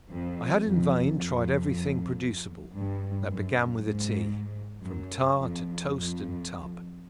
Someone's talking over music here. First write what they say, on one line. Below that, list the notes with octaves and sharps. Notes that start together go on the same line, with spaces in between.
I had in vain tried everything producible that began with a T, from tar to toast and tub.
F2
F2
F2
G2
F#2
G#2
F#2
F2
F2